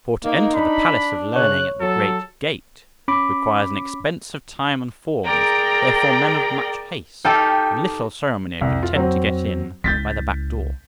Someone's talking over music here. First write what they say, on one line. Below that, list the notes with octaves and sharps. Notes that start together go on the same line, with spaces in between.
For to enter the palace of learning at the great gate requires an expense of time and forms, therefore men of much haste and little ceremony are content to get in by the back-door.
A#3 D#4
D4 B5
C#3 C#5 F#6
F#3 A4
C#4 B5 D6
G#4 A#4 D5 G5 A#5
D#4 G4 A4 G5 F6 G6
C2 F2
F4
F#3 C4
C#2 E4 G6 A6 B6